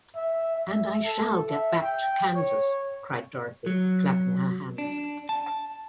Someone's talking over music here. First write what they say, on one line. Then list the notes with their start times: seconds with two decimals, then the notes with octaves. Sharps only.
"And I shall get back to Kansas," cried Dorothy, clapping her hands.
0.15 E5
0.56 E5
1.04 A4
1.51 E5
1.81 G5
2.35 C#5
3.66 F#3
4.78 D4
5.29 A5